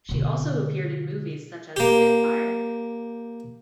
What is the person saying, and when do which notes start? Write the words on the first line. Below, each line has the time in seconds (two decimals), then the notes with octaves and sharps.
She also appeared in movies such as "Spit Fire".
0.09 B2 D3
1.76 A#3 G4